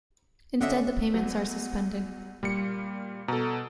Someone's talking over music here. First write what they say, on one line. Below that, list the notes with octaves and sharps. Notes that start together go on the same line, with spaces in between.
Instead the payments are suspended.
D3 C#4 F#4 D#5 E5
E2 F#3
A#2 G3 C#7
B2 A4 A#5